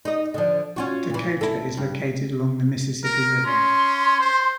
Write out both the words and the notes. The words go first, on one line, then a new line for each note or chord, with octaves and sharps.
Dakota is located along the Mississippi River.
D#4 D#5
D3 F3
C#4 F4 F#4
A#2 E3
E4 A4
G2
A#4
C#4 C6
C5